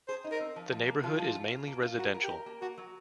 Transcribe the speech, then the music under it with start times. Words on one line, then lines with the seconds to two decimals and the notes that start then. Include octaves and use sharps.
The neighborhood is mainly residential.
0.08 G#4 C5
0.24 D#4
0.32 A#4
0.40 C4
0.56 F3
0.72 F3
0.88 A#3
1.03 F3 F4
1.19 F3
1.35 F4
1.51 F4
1.67 A#3
1.82 F4
1.99 F#4 A#4
2.14 A#4
2.23 G4
2.31 A#4
2.46 A#3
2.62 A#3 F#4
2.78 F#3